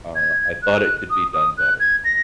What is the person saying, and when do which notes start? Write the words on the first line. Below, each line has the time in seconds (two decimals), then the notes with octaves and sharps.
Uh, I thought it could be done better.
0.16 G#6
0.63 F#6
1.10 D#6
1.33 D#6
1.57 F#6
1.80 G#6
2.05 A#6